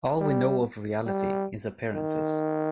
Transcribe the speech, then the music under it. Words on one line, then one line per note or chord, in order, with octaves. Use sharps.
All we know of reality is appearances.
G3
G3
D#3